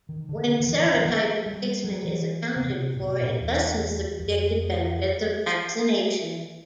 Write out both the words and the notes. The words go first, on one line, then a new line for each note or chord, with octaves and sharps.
When serotype replacement is accounted for, it lessens the predicted benefits of vaccination.
D#3
D3
D#3
E3
D#3
F#3
F3
G3
F#3
E3
C#3
C3
A#2
B2
A#2
E2
F2